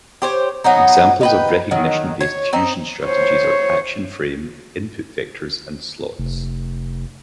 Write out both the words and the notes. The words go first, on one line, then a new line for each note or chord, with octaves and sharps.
Examples of recognition-based fusion strategies are action frame, input vectors and slots.
G4 C5 C#5
F#3 B3 D#4
D#4 B4 G5
D#3 F#3
C#5
C4 D#4
C5 C#5
F1